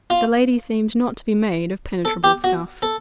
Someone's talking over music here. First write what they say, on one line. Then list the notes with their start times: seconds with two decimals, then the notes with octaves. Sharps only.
The lady seemed not to be made of penetrable stuff.
0.10 F4
2.05 A4
2.24 G4
2.44 F#4
2.82 A4